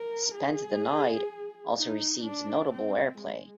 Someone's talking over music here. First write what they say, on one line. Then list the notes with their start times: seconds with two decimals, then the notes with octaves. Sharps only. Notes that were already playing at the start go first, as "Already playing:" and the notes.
"Spend The Night" also received notable airplay.
Already playing: A#4
0.35 G#4
1.77 D#4
2.24 D4
2.71 C4
3.18 G#3